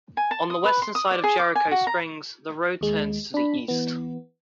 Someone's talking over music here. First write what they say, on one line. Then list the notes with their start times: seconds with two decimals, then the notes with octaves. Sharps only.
On the western side of Jerico Springs, the road turns to the east.
0.17 G#5
0.31 A5
0.50 D#6
0.65 B4
0.82 C6
0.95 D#6
1.11 D5
1.24 G#4
1.39 D6
1.55 G#5
1.71 F#4
1.87 A#5
2.81 D#2 G#3
3.34 D4 B5
3.68 E3 B3